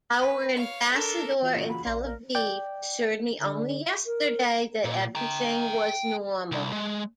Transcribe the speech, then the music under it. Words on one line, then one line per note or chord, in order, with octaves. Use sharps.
Our ambassador in Tel Aviv assured me only yesterday that everything was normal.
B4
C#5 F5
D4 A4 A#4
E3 F4 F#4 E5
A#2 C#3 F#3 D#5
B5
A#1 D5 F5 C6
A#4
D5 G5
D3
A#4
A#2
G5 A#5
C2
G#3